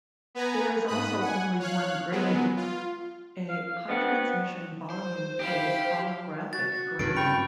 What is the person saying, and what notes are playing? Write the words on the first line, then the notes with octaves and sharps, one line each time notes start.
There is also only one grating, a high transmission volume phase holographic grating.
B3 B4 G#5 A#5
G#2 B5 D#6 F#6
F#5 G#5
C#5 F5 F#6
F#3 G#3 B3
F4
F5
B3 C4 D4 F#4
C5
E4 G4 F5
F#4 A6
G2 C#3 D7
G5 B5 C#6